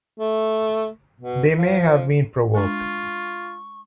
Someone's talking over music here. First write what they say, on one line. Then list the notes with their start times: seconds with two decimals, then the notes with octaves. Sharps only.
They may have been provoked.
0.20 A3
1.20 B2
1.58 F3
2.55 G#3 D4 F4 C#6